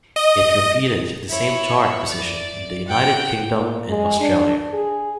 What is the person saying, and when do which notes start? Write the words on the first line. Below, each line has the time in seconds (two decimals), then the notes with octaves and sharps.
It repeated the same chart position in the United Kingdom and Australia.
0.16 D#5
1.29 E4 C#5
2.09 D5
2.87 F#5 G5
3.55 A#2
3.89 G#3
4.20 D4
4.73 G#4